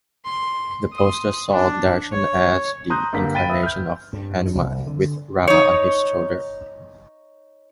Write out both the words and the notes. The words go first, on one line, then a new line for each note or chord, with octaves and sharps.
The poster saw Darshan as the incarnation of Hanuman with Rama on his shoulder.
C6
C6 D#6
D4
C#5
A#5 C6 D#6 F#6 G6
G2 D3 A#3 B6
F5 G5 B5 A6 B6 D#7
B4 E5 D#6 E6
F6 G6
G2
C2
D3
D#4 C#5